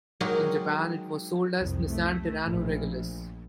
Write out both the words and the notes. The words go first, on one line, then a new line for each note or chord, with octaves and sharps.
In Japan it was sold as the Nissan Terrano Regulus.
F#3 G#3 D#4 F#4 G4 A#4
C2 F2
A3
A#1